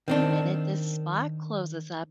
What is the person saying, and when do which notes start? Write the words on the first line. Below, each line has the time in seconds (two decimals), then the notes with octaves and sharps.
the minute this spot closes up,
0.08 D#3 C4 D4